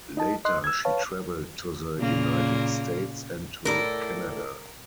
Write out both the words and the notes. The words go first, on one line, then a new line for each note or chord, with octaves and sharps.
Later she travelled to the United States and to Canada.
D#4 D#5 A5
D#5 C6 F#6
E6 G#6
B4 C#5 F5 A5
A#2 C#3 A#3
A2 A4 A#4 D5